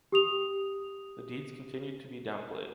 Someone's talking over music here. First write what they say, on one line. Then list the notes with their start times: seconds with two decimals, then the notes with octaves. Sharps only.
The deeds continued to be downplayed.
0.12 G4 D#6 F7